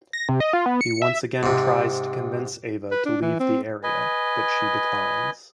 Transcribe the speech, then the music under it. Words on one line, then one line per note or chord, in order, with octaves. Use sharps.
He once again tries to convince Ava to leave the area but she declines.
A#6
C3
D#5
F4
B3
C#7
E5
G#2 C3
B4
D4
E3
C4
B4 D#5 G#5